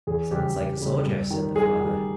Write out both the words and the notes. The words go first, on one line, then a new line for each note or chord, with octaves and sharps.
"Sounds like a soldier," said the father.
E2 G#4
C#3 G3 G4
E2
C#3 G3
G2
D#3 G3
G2 G#4
D#3 G3